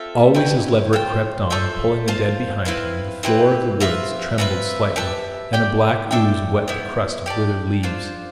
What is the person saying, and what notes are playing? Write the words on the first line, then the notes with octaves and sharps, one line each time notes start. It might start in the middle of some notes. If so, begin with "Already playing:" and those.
Always, as Leverett crept on, pulling the dead behind him, the floor of the woods trembled slightly, and a black ooze wet the crust of withered leaves.
Already playing: C4 F4 A4 E5
A3 E4 G4 B4
F4 C5 G5
F4 A4 C5 E5
F4 C5 F5 A5
C4 E4 B4 F5
C4 E4 G4 B4
C4 F4 B4 E5
C4 F4 B4 E5
G4 B4 E5 A5
G4 D5 G5
D4 A4 E5 G5
B3 E4 G4
G4 D5 A5
D4 F4 C5